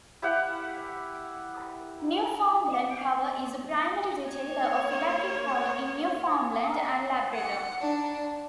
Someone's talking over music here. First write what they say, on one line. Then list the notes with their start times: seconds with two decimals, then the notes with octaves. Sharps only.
Newfoundland Power is the primary retailer of electric power in Newfoundland and Labrador.
0.22 E4 G4 F5 F#5
4.29 A#3 C#5
7.35 F#5
7.80 D4